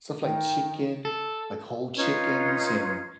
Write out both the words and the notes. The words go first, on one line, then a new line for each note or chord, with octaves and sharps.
stuff like chicken, like whole chickens and
D#3 G5
A4
C#4 D#4 F4 B4